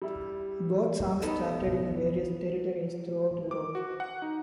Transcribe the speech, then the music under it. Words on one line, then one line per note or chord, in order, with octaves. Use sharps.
Both songs charted in various territories throughout Europe.
G3 E4
B3 D#4 A4
D6
F#4
F#5
D#4